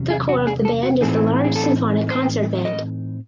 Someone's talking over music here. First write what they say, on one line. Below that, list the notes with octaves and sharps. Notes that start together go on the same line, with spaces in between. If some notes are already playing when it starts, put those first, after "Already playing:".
The core of the band is the large symphonic concert band.
Already playing: E2 C3 F#3 C#4
G#4
F#4
G#4
A4
F#4
A2 E3 C4 D#4 G#4
G#4
A4
C5
D#5